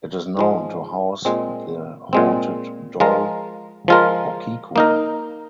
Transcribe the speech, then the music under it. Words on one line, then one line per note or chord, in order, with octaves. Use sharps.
It is known to house the haunted doll Okiku.
G#2 F3 G#3
A#2 G#3 C4
A#2 G#3 C4
F3 G#3 F4 A#4
F3 G#3 F4 A#4
A#3 D#4 A#4